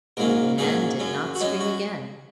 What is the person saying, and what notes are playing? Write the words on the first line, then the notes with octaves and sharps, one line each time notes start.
But Nan did not scream again.
A#1 G#2 F#3 A#3 C#4 A#4
A#1 G#2 F#3 A#3 C#4 G#4
F#2 F#3 C#4
F#4
F#2 F#3 C#4 D#4
F#4